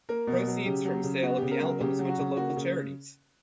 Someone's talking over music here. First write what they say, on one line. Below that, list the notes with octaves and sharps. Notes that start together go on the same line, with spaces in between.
Proceeds from sale of the albums went to local charities.
A#3 A#4
B2
F#3
C#3 G4
F#3
C#3
B3 F#4
C#3 G4
A#4
F#3
A#4
C#3 G4
F#3
F#4
C#3
A#3 F#4
C#3